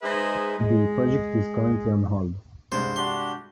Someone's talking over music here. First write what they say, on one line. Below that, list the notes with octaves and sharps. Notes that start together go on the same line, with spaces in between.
The project is currently on hold.
G#3 D#4 G#4 B4 C5 E5
G#3
C2 G2 G#3 C5
D4 F#4 G4 C6